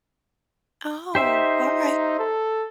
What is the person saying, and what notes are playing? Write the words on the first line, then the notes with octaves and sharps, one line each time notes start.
Oh, alright.
D#4 G4 C5 E5
A4